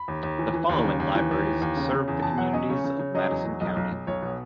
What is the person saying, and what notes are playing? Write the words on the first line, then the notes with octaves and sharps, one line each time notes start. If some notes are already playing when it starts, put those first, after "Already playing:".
The following libraries serve the communities of Madison County.
Already playing: B5
D#2
D#2
E3
E3
D#2
C#3
D#2
E3
D#2
E3
D#2
C#3
C#3
E2
E2 A5
F#3 F#5
C#4 D#5
C#3 C#5
C#3
C#3
F#3 D#5
E2
F#3
B1 D#5
B1
B1
B1 C#5
B2